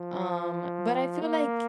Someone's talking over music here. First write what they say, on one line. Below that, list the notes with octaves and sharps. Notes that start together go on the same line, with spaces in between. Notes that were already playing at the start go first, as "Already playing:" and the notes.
Um, but I feel like
Already playing: F3
A#3